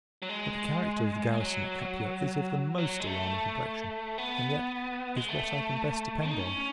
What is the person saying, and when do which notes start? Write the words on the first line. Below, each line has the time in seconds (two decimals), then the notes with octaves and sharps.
But the character of the Garrison at Capua is of the most alarming complexion; and, yet, is what I can best depend on.
0.22 F#3
0.29 G#3
1.40 F#3
2.78 F#3
3.00 G#3
3.07 A3
4.18 B3
5.16 G#3
5.29 A3
6.29 D#4
6.39 C#4